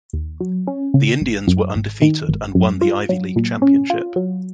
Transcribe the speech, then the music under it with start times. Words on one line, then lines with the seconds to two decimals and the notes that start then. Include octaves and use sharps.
The Indians were undefeated and won the Ivy League championship.
0.13 D#2
0.41 F#3
0.67 C#4
0.94 C#3
1.21 G#1
1.48 F#2
1.75 G#1
2.02 D#3
2.29 G#1
2.55 F#2
2.81 F4
3.09 F#3
3.36 A#2
3.62 C#4
3.90 F4
4.16 F#3